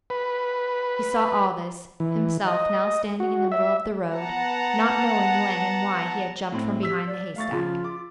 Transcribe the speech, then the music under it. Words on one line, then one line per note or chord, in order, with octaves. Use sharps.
He saw all this, himself now standing in the middle of the road, not knowing when and why he had jumped from behind the haystack.
B4
E3
D#5
F#4
E5
B3 F#5 A5 A#5
A2 C4
G4 E6 B6
D5
A3 F5 C#6 A6
C#3 F3 F4
D6